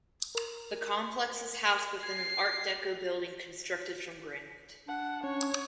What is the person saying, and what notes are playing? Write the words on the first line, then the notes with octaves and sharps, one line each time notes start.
The complex is housed within an art deco building constructed from granite.
A#4
G#6 C7
D4 F#5
C#4 C#5